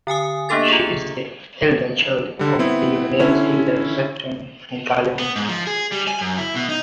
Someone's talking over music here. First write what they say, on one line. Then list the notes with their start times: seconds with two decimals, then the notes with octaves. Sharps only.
She is the elder child of billionaires Hilary Weston and Galen Weston.
0.07 D3 G5 G#5 D#6
0.49 A#3 B3 D4 G4 A4 A6
0.68 F4 G#4
2.39 D3 G3
2.59 B3 C4 E4
3.19 D3 C#4 E4
5.19 B3
5.36 G#2
5.49 F3
5.67 G#4
5.92 G3
6.08 G#5
6.21 F#2
6.38 E4
6.55 B2
6.69 D#4